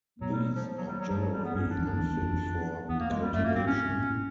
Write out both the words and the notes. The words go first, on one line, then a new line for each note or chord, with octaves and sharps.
These are generally unfit for cultivation.
B2 F#3
G3
F#3
F3
F#3
G3
F#3
G2 F3
F#3
G3
B3
G2 C#4
F2
D4
E2
F#2 D4
E2
E2
F2
F2
E2 B3
A#3
F2 G#3
G3
F#2 A3
G2 A#3
G#2 C4
A2 C#4
G#2
A#2
A2